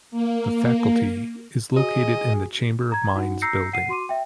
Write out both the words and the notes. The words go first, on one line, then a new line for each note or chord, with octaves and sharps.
The Faculty is located in the Chamber of Mines Building.
A#3
F#4 G#4 D#5
A#5 G#6
D#4 F#4 F#5
A#5 E6 G6 A#6 C7 C#7
F#5 C7 D#7
F#4 C6 D6 D#7
E5 G5